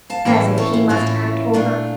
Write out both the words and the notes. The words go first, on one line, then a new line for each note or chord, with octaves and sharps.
'As if he must act Ogre.
F5 A5
A2 E3 A#3 C#4 E4 E5 G5
A4 C#5
F4
A2 E3 A#3 C#4 E4 F4
A#2 A3 D4 F4